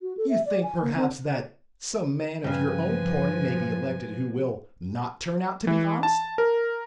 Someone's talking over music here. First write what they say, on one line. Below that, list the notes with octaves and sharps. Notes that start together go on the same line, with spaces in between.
"You think, perhaps, that some man of your own party may be elected who will not turn out to be honest?"
F#4
A4
E5
D5
G#5
A#3
C4
G2 C#3 F3 B4 G#5
E3
A5
A#4